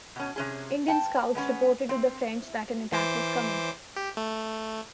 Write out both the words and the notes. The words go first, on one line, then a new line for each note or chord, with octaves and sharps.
Indian scouts reported to the French that an attack was coming.
B2 C#4
C3 C#4 G#4
G5 A5
G#3 B3 C#4
C4
E3 C5 D6
G4
A3